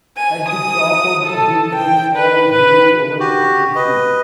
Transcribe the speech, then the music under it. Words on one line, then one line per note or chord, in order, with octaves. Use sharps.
At the top of the hill they saw the village overlooking the sea.
G#5
D#6
A4
G5
B4
B4
F#4 G4
B4 D#5